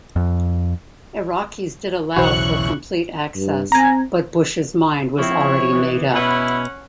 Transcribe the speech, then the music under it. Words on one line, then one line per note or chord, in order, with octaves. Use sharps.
Iraqis did allow for complete access but Bush's mind was already made up.
F2
B1 E2 C#3 E3 F#4 C5 C#6 F#6
G2
C4 G#5 A#5
F3 C4 E4 C#5
E3 B3
B2 C#4 E4 B4 F#5